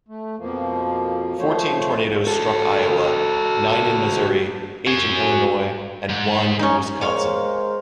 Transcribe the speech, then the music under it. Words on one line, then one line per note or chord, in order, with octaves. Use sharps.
Fourteen tornadoes struck Iowa, nine in Missouri, eight in Illinois, and one in Wisconsin.
A3
F2 B2 F3 A#3
F3 A3 C5 C#5
F#4 A4
F#4 G#5
G#2
C#4 D#4
G#3 A#4 C5 C#5 F5